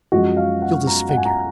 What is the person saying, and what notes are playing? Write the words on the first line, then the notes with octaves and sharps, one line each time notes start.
'You'll disfigure.
F#2 F3 G#3 F#4
F5
F#5
A#5
F#5
G#5
A#5